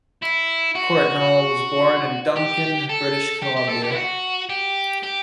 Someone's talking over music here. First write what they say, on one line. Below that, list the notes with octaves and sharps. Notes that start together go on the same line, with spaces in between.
Courtnall was born in Duncan, British Columbia.
E4
F#4
G4
A4
G4
G4
A4
G4
E4
F#4
G4
G4